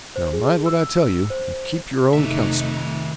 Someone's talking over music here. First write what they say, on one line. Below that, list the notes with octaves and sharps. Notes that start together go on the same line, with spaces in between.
Now, mind what I tell you, and keep your own counsel.'
C5
G#4
E6
C5
F1 C3 D#3 A3 D#4 E5